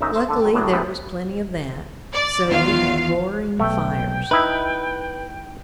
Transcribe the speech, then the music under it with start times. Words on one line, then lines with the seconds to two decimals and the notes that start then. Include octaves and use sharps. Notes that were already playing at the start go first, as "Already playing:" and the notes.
Luckily, there was plenty of that, so we had roaring fires.
0.01 B1 F#2 F#3 D#4 E5 A#5
0.16 C5 E5
0.28 D3 A4
0.42 F#3 G5
0.54 G1 A2 F#3 D4
0.72 D2 G#2 C3 B3
2.13 D5
2.46 E2 D#3 F4 F5
3.60 B1 A3 G5
4.31 D#4 E4 B4